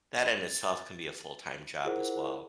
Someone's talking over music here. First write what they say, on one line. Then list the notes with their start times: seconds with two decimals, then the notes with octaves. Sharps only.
that in itself can be a full-time job as well.
0.24 A6
1.85 E4 F4 G#4 A#4 C5 F#5